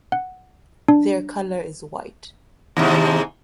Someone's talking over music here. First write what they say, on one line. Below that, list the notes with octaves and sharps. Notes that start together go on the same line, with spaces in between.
Their color is white.
F#5
D4
D#2 G#2 C3